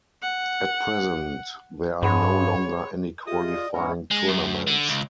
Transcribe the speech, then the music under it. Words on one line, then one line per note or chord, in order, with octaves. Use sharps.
At present, there are no longer any qualifying tournaments.
F#5
G2 G#3 B3 C5 C#5
F4 G4 G#4 D#5 E5 D#6
D5
G#2 C#4 E4 A#4 F#5
G#3
F#2
D3
C#2